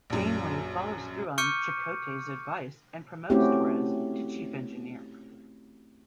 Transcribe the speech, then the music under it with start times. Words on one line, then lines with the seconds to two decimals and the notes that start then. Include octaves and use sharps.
Janeway follows through on Chakotay's advice and promotes Torres to Chief Engineer.
0.10 A#1 F#2
1.38 C#6 D6 F6 G6 C#7 D#7
3.30 A3 C4 C#4 E4 F#4 G4